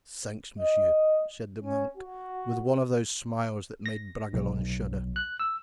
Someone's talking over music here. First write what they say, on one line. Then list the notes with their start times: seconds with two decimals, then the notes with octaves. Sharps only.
"Thanks, monsieur," said the monk, with one of those smiles that made Bragelonne shudder.
0.60 D#5
1.62 C#4
1.97 F#4
3.86 A#6
4.33 B1
5.16 F#6
5.40 E6